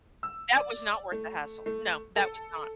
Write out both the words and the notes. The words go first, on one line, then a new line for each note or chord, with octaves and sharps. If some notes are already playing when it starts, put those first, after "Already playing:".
That was not worth the hassle. No. That was not.
E6
D5
A3
A3
A4